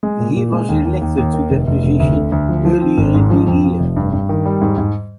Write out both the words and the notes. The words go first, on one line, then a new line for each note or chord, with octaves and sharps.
He was elected to that position earlier in the year.
G#3
A#2
A#2
G#3
D#2
D#2
D#2
D#2
D#3
F1
F1
F1
D2
D3
D2
F3
F3
C4
G#1
G#2
F3
F2
F3
F1
G2
G2
D#3
G3
G#2
G#2